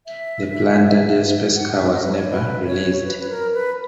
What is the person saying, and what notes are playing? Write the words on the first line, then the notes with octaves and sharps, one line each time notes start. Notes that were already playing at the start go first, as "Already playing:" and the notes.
The planned 'Dan Dare' Spacecar was never released.
E5
F#5
E5
D#5
B4
C#5
B4
C#5
B4
B4
A#4
B4